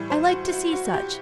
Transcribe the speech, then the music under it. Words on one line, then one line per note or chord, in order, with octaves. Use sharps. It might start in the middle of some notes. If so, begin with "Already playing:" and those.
I like to see such.
Already playing: A2 E3 G3
C5
F#4
F#4
F#4
G4